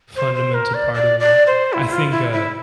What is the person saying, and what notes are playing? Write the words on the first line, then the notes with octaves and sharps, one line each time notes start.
fundamental part of me. I think, uh,
C5
C5
A#4
D5
D5
D5
C5
E4
F4
E4
E4